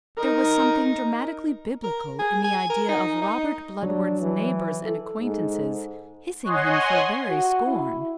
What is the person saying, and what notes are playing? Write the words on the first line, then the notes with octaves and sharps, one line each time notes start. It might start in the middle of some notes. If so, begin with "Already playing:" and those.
There was something dramatically biblical in the idea of Robert Bludward's neighbours and acquaintances hissing him for very scorn.
D#4 A#4
A#4
G#4
G#5
A#4
D#4
D#4
F#3 D4
E3
A4
G#2
C#5 D#5 F#5 G#5 C6
F#4
E4